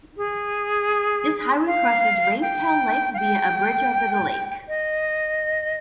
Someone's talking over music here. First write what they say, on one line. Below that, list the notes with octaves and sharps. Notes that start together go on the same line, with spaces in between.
This highway crosses Raystown Lake via a bridge over the lake.
G#4
F5
G5
F5
G5
D#5